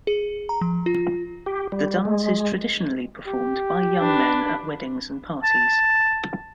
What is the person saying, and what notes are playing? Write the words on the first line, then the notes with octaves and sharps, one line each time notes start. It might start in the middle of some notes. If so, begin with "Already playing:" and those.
The dance is traditionally performed by young men at weddings and parties.
G#4
A#5
F3
F4
G4
G3
G#3
G4
D4 B4
A5